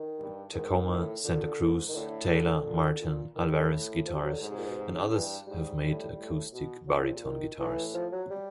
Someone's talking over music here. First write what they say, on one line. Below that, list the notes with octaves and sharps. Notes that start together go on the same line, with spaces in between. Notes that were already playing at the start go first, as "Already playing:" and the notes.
Tacoma, Santa Cruz, Taylor, Martin, Alvarez Guitars and others have made acoustic baritone guitars.
Already playing: D#3
G2
G#2 D#3
A2
A#2 D3
G#2
D#3
A2 D3
D3
A#2
A#2
A2 D#3
D3
F3
G3
F#3
D3
G#2
C3
A#2
B2
C3
C#3
G2 E3
G#2 G3
A2
A2
B2
A#2 F#3
C#3
C3
D#3
A2 E3
F3
F#3
G3